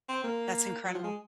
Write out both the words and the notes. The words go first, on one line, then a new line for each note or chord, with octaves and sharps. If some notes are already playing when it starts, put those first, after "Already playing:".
That's incredible.
C4
A#3
F#3
F3
G#3